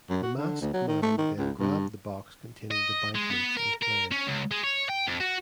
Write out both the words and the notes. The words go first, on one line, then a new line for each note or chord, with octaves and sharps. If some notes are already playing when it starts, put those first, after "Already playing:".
The masked man then grabbed the box containing the bank notes and fled.
F#2
F#4
D3
D2
F#3
D#3
A3
D#3
C#2
G2
D#5
G#3
B3
A#4
A#4
C#4
C#2
G#3
C#5
G5
F2
F#4